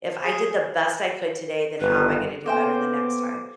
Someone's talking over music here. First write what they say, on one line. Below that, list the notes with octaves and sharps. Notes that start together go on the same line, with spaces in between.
If I did the best I could today, then how am I gonna do better the next time?"
G#4
G1 B4
A#3 B3 A4 C5 E5 G5 G#5 D6